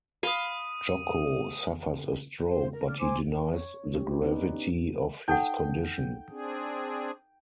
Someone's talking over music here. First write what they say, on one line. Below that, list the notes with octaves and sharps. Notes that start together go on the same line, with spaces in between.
Jocko suffers a stroke, but he denies the gravity of his condition.
F5 B5 C6 D#6 D#7
C5
A#4
D4 F6
C5 G#5 C6 D6
C#5
C#4 G4
B3 D4 D#4 B4
D#4 A4 F#5 G5
C4 D4 G#4